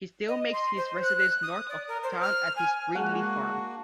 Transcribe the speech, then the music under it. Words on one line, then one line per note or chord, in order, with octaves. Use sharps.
He still makes his residence north of town at his Brindley Farm.
D#5
C6
C5
F#6
F#6
D#6
D5
A#4
C5
F6
G#5
G#3 A#3 D4 F#4 F#5